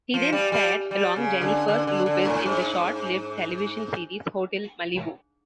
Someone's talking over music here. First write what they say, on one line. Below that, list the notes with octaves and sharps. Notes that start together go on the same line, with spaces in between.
He then starred along Jennifer Lopez in the short-lived television series, "Hotel Malibu".
F3
G3
G3
G3
C#3
D3
D3
D3
D3
A2
G#2